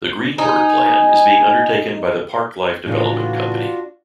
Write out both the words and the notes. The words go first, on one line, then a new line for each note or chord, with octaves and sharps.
The "Green Quarter Plan" is being undertaken by the Parc life development company.
D#4 G#5
A2 C#3 E3 D4 F4 F#4